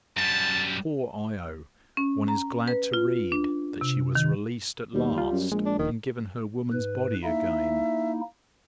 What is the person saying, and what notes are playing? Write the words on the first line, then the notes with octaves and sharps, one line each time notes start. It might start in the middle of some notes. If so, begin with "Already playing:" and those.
Poor Io! one is glad to read that she was released at last, and given her woman's body again.
F#2 G3 A5
C#4
A#5
B4
F4
D4
C3
D#3
D#2 G3
F4
F#2
A#1 G#3
D4
D#1 D#3
G#2 B4
A#3 D#4 E4 E5